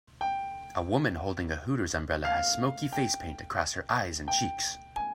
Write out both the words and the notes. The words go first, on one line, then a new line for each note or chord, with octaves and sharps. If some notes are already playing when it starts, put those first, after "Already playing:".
A woman holding a Hooters umbrella has smokey facepaint across her eyes and cheeks.
G5
F5
G5
G5
G#5